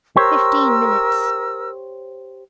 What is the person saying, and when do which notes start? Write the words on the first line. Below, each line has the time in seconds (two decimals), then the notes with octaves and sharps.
Fifteen minutes.
0.16 G4 A#4 C5 C#5 E6